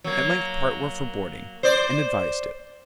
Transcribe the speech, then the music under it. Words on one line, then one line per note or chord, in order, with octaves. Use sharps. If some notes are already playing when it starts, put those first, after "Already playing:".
At length part were for boarding, and advised it.
F#3 A#3
C5 D5